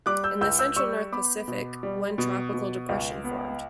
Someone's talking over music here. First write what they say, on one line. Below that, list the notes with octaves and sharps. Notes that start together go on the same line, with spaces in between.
In the central north Pacific, one tropical depression formed.
G3 D6 F#6
E6 G6
C#2 E6 G6
E6 G6
G3 C#6 E6
B3 B5 D6
B2
G3
B2
B2
C#2
B3